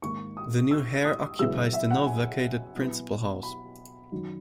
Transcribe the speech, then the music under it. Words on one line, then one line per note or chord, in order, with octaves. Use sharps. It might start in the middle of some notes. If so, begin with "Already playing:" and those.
The new heir occupies the now vacated principal house.
G#2 D#3 A#3 C#6
D#6
E6
D#6
F#2 C#3 G#3 B3 E4 E6
E5
F#5
G#5
B2 F#3 B3 E4
B5
F#2 D#3 F#3